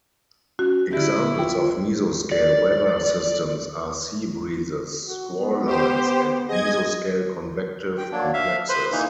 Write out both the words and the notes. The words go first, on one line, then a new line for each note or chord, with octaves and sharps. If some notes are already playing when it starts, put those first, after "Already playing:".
Examples of mesoscale weather systems are sea breezes, squall lines, and mesoscale convective complexes.
C#4 F#4
D3 E4 G4
F4 G5
D5
F#4
B3
G4 C5
G#4 D#5 G#6
G5
F#3 A#3 D4
E5 F5
B4 C5 B5
E3 A#3 D#4